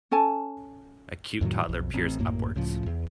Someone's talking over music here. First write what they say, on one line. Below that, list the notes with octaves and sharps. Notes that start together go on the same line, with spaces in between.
A cute toddler peers upwards.
C#4 A4 G#5 A5
F2 A2 D#3 F#3
B1 F2
A1 C4
A#1 F#2 A2 A#3
C#2 A2 C#3 F3
E2